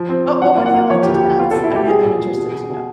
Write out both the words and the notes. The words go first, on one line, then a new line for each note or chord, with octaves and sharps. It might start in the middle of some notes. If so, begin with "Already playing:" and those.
Oh, wha what do you like to dance? I mean, I'm interested to know.
Already playing: F3
C4
C4
F#3 F#5
A#3
F#5
A#3
F3 C#5
G4
D2
G4
D2
B3 F4
A4
B2
E4
B2 G4
G3 G#4
A#2
G3
B2
B2
B2